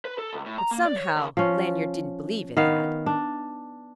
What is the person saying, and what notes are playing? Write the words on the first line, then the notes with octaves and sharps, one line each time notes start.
But somehow Lanyard didn't believe it had.
B4
A4
C#2
A2
A#5
A#3
D5
C#5
D#2
F3 C#4
D#3 B3 F5
D4